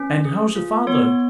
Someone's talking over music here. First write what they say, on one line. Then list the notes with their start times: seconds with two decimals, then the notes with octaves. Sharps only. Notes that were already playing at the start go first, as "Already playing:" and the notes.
"And how's your father?"
Already playing: C#4 B4
0.25 G#4
0.56 F4
0.87 B3 C#5